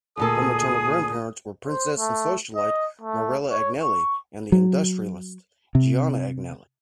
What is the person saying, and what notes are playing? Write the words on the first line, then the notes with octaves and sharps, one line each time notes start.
Her maternal grandparents were princess and socialite Marella Agnelli and the industrialist Gianni Agnelli.
D2 A#2 G#4 A4 D#6
C5
A3
D#5
A3
C#5
C#6
F#3
C3